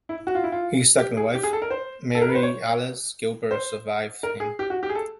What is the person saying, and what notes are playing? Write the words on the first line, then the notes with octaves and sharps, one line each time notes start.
His second wife, Mary Alice Gilbert, survived him.
E4
F#4
F4
E4
F4
G4
G#4
G4
G#4
A4
A#4
C5
A4
A#4
B4
C5
C#5
C5
A#4
G#4
G4
F#4
G4
G#4
A4